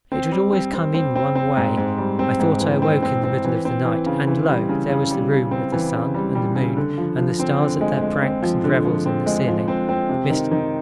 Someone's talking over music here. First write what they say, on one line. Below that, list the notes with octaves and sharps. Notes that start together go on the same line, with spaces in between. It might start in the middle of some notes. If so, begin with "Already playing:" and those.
It would always come in one way: I thought I awoke in the middle of the night, and lo! there was the room with the sun and the moon and the stars at their pranks and revels in the ceiling--Mr.
C4
G3
C4
C4
C4
C4
C4
G#2
G#2
G3
C4
G#2
E3
C4
C4
C4
E3
C4
E3
C#3
E3
G3
C#3
C#3
G3
C#3
C4
E3
C#3
G3
G3
C#3
D3
F3
F3
C4
D3
G#3
G#3
C4
F3
D3
F3
C4
G#3
F3
C4
C4
C3
D#3
D#3